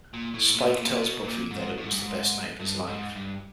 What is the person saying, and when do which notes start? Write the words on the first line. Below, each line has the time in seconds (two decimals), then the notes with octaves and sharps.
Spike tells Buffy that it was the best night of his life.
0.14 A#2
0.34 A2
0.54 A#2
0.67 A2
0.75 A#2
0.89 A#2
0.96 B2
1.24 A#2
1.51 G#2
1.78 A2
1.85 G#2
1.93 G2
2.00 G#2
2.60 G2
2.87 G#2
3.15 G2